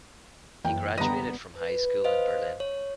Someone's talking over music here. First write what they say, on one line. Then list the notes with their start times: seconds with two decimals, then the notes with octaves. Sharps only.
He graduated from high school in Berlin.
0.65 F#2 E3 A#3 G5
0.98 D3 G3 B3 B4 D#5 A#5
1.58 B4
2.04 C5 D#5 F5
2.60 C#5